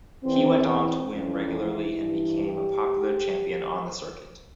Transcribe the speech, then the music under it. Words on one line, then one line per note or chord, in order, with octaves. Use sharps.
He went on to win regularly and became a popular champion on the circuit.
E2 E3 C4
C4
F2 E3 C#4
E4
G2 E3
G4